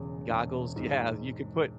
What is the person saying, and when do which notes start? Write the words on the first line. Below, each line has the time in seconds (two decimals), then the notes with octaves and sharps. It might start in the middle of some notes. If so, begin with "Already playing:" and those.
goggles Yeah you could put
Already playing: E1 E2 C#3
0.30 E1
0.76 G#2